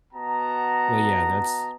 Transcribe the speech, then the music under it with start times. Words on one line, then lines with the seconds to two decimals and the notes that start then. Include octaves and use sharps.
Well, yeah, that's
0.13 B3 F#4 D#5 F#5 A5 A#5